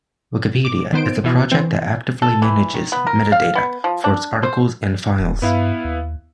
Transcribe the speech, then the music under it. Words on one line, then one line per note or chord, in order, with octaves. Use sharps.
Wikipedia is a project that actively manages metadata for its articles and files.
D6
D#3 B3 C5 D7
B2 E3
E3 C4
A4
E3
D#3
B3
A#4
F5
B3
F3
D4
C5
D#1
G2 B3 E4 F5
D#2